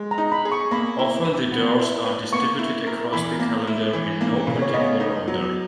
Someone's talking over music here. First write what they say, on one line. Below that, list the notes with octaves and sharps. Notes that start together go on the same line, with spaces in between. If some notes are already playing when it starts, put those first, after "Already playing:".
Often the doors are distributed across the calendar in no particular order.
Already playing: G#3
A#5
D#4
B5
G#4
C#6
A#3 B5
E4
B4
B3
E4
B4
A#3 C#6
E4
A#4
E3 B5
A#3
E4
E3
A#3
C#3
C#5
B3 D#5
D#4
F#3